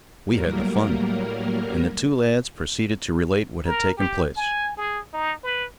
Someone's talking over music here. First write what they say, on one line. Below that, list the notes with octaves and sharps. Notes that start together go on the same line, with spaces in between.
"We had the fun." And the two lads proceeded to relate what had taken place.
A2 F#3 G3 A#3 A#4
A#4
G4
G#5
G#4
D#4
B4